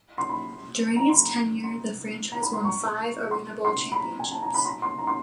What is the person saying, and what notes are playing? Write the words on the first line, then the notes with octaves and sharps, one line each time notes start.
During its tenure the franchise won five ArenaBowl championships.
C6
B5
A#5
C6
B5
C6
A#5
B5
C6
C#6
C6
C6
B5
A#5
G#5
A5
A#5
B5
C6
C6
A#5
C6